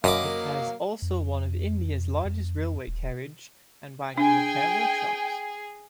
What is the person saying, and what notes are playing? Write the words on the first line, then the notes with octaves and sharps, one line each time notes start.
It has also one of India's largest railway carriage and wagon repair workshops.
F#2 F#3 A#3 D#5 F5 B5 D6
F2
F2
D#1
D4 G#4 G5 G#5